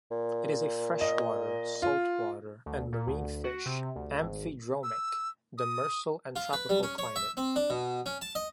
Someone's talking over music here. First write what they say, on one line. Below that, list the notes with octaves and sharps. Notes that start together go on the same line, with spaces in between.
It is a freshwater, saltwater and marine fish; amphidromic; demersal and tropical climate.
A#2
D#5
F4
D2
A#2
D2
F#4
C3
D2
G#1
E6
D#6
F4
B4
G3
C#4
C#5
E5
C4
D4
B2
C#4
A5
D#5